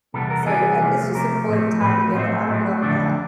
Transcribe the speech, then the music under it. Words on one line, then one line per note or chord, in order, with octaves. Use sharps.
So, it it's just important time together, I love that.
E2 C3 E3 G3 B3 A4
A#4
A4
E2 C3 E3 G3 B3 G#4
C3 F3 A3
C3 F3 A3 A#4
A2 F3 A3 C4
A2 F3 A3 C4 B4
A2 F#3 A3 C4 C5
A2 F#3 A3 C4
F2 D3 F3 A3 D4 D5